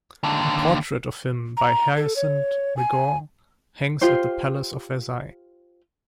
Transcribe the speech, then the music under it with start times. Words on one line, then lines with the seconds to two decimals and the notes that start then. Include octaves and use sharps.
A portrait of him by Hyacinthe Rigaud hangs at the Palace of Versailles.
0.23 D#2 D3
1.57 A#5
1.96 A4
2.16 C#5
2.77 G#5
4.01 F4 G4 C5